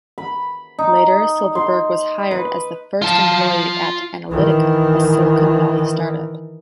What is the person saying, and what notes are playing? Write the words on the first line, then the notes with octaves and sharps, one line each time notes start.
Later Silverberg was hired as the first employee at Analytica, a Silicon Valley startup.
B5
D#4
C6
B4
F4 A5
D#3 E3